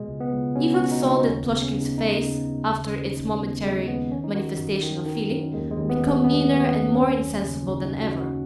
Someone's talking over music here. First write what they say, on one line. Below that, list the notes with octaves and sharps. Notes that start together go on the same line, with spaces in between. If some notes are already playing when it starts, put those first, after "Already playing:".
Even so did Plushkin's face, after its momentary manifestation of feeling, become meaner and more insensible than ever.
Already playing: B2 G#3
C#2
B3
C#2
B2 C#4
F#4
C#2
D#4
C#2
D#4
D#2 C#4
B3
C#3
C#4
C#3
D#4
C#3 D#4
C#3
C#3
D#2
C#4
D#2
D#4
D#2
C#4
G#3
D#2 B3
D#2 G#3
D#2 B3
D#3 C#4
D#4
D#3 F#4
F#2
D#3
D#3
F#2
D#2 G#3
G#3
D#2
B3
D#2
C#4
D#2 B3
D#2
B3
D#2
F#2 C#4
F#2
C#3
C#3 D#4
D#4
F#2
F#4
F#2
F#4